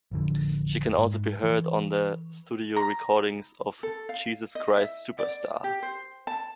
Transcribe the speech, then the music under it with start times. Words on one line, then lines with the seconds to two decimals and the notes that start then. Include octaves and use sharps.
She can also be heard on the studio recording of "Jesus Christ Superstar".
0.11 A1 F2 D3
0.98 G#2
1.43 E3
2.77 A#5
3.83 A4
4.09 F5
4.55 D#5
4.77 E5
5.19 D5
5.64 G4
5.83 C5
6.27 A5